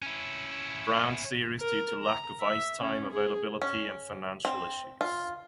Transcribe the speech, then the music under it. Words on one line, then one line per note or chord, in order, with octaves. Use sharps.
Brown series due to lack of ice time availability and financial issues.
C#4 E4
A#4
A#5
E5
C#4
G#4
C#4
C4
F4